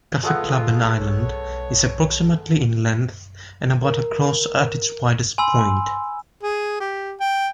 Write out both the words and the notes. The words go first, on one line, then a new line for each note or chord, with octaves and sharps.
Kaffeklubben Island is approximately in length, and about across at its widest point.
G#3 A3 B3 F4
B1 C#5
A#4
G#5 B5 C6 E6
G#4
G4
G5